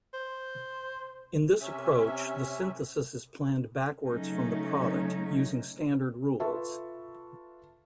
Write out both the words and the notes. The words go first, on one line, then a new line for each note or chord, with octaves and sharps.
In this approach, the synthesis is planned backwards from the product, using standard rules.
C5
C3 C#4 E5
C#3 F#3 A3 C#4 D#4
F4 A4 B4 E5 A5 C#6